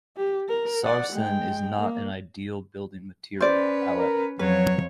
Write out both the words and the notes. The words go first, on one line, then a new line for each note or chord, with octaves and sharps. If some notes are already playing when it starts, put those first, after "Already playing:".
Sarsen is not an ideal building material, however.
G4
A#4
D5 F#5
G#3 G5
A#3
C#4 B4 C5 D5
A#4
F2 F#3 B4 C#5